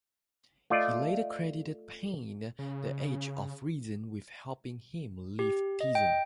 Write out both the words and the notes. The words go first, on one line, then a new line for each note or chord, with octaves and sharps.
He later credited Paine's "The Age of Reason" with helping him leave theism.
A3 F4 D5 D#5
C#3
G4
D#5
G5